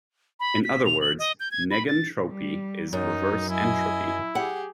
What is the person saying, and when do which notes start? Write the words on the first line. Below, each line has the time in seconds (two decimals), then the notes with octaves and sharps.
In other words, negentropy is reverse entropy.
0.40 B5
0.64 B6
0.86 F7
1.01 F#7
1.19 D#5
1.40 G6
1.51 G#6
1.71 B5
1.87 A6
2.31 G3
2.93 F#2 F#3 D#4
3.49 E4 D#5 G#5
4.35 G4 G#4 F#5